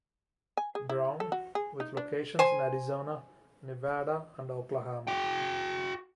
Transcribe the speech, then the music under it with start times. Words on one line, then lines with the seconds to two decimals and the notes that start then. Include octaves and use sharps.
Brown, with locations in Arizona, Nevada and Oklahoma.
0.57 G#5
0.75 G#4
0.89 E4
1.20 A4
1.32 F#4
1.55 G#4
1.80 D#4
1.97 D4
2.39 C5 G#5
5.07 F#4 G5